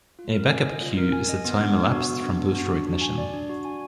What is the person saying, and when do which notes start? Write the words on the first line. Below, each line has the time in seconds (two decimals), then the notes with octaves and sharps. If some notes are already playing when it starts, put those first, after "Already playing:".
A backup cue is the time elapsed from booster ignition.
0.19 F4
0.34 A#4
0.50 G#5
0.65 D#5
0.82 F4
0.98 A#4
1.12 G#5
1.29 D#5
1.45 B3
1.60 D4
1.76 B3
1.92 F#4
2.07 B3
2.22 D4
2.39 B3
2.54 F#4
2.70 D4
2.86 F#4
3.01 G#5
3.18 D5
3.34 D4
3.50 F#4
3.65 G#5